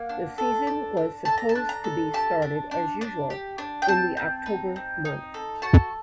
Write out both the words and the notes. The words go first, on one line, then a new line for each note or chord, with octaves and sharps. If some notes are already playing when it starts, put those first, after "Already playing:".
The season was supposed to be started as usual in the October month.
Already playing: A#3 F#5
D4
A4
D4
D4
A4 A5
A#5
A5
D4
A#5
A4
G4 A5
D4
D4
D4
G4
D4
G5
C4 A5
C4
D#4
C4
D#4
A4
F#4 A5